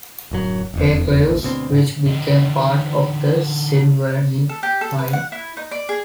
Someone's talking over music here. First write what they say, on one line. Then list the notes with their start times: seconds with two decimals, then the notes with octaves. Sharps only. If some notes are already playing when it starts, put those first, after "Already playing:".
Hargreaves, which became part of the Sylvanite Mine.
0.31 D1 F#2 F#3
0.74 E1 F2
1.24 G#1 D#2
1.43 D2 B2 C4
1.72 G#2
2.06 D3 D#4
4.49 A4
4.63 G4
4.81 A4
4.99 B4
5.13 F#5
5.32 E4
5.57 D#4
5.71 D5
5.89 G#4